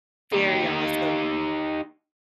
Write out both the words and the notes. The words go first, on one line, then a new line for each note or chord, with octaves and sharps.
Very awesome.
D#4 G4